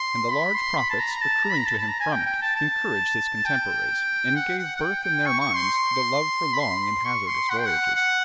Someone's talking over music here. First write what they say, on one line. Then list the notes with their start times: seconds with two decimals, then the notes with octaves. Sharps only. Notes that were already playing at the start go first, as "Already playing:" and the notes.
And the large profits accruing to him from it, encouraged his contemporaries, and gave birth in their minds to the love for long and hazardous voyages.
Already playing: C6
0.31 B5
0.54 C6
0.77 B5
0.90 A5
1.00 A#5
1.21 A5
1.44 A#5
1.51 B5
1.58 A#5
1.66 A5
1.78 A5
1.89 A#5
2.00 G#5
2.12 G5
2.26 G5
2.42 A5
2.56 A5
3.46 G5
4.36 F#5
4.59 F#5
4.76 F#5
4.80 G5
5.03 G5
5.26 C#6
5.41 C#6
5.56 C6
6.53 B5
6.60 C6
7.05 C#6
7.27 C6
7.50 F#5
7.58 G5
7.65 F#5
7.95 F#5